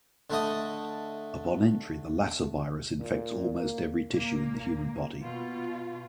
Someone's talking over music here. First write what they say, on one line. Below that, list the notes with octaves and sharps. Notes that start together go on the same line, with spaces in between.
Upon entry, the Lassa virus infects almost every tissue in the human body.
D3 A3 D#5
A#2
A#3
A#2 A#3
B2 F4